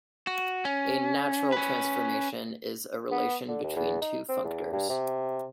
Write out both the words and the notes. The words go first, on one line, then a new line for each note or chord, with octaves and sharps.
A "natural transformation" is a relation between two functors.
F#4
C#4
C#4 B4
B3
D3
D#2
E2
D#4
C4
E2
G2
C3